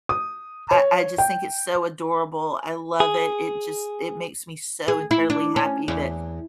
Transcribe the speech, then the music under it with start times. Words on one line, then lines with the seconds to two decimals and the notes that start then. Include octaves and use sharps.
I I just think it's so adorable. I love it. It just it makes me so incredibly happy that,
0.09 D#6
0.71 C#5
1.18 G5
3.00 G#4
4.88 G#4
5.11 E4
5.30 D4
5.56 C#4
5.88 E2